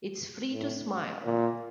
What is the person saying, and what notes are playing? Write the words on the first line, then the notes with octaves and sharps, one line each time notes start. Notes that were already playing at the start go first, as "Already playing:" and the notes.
It's free to smile.
A2
A#2